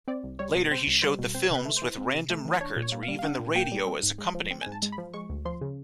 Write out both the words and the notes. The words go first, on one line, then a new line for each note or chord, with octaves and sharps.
Later he showed the films with random records or even the radio as accompaniment.
C4 D5
C2
G3 C#5
B2
C4 C5
C2
G3 C5
B2
C4 C5
C3
B4
A3
C5
E3
C4
C3
A3
E3
D4 C#5
A#2
C#5
A#3
F5
G3
F5
D4 F#5
A#2
A#3 G5
G3
C4
G#2
G#3
F3
C4
G#2 G#5
A5
G#3
B5
F3
G#3 C#6
D2
F3 C6
C#3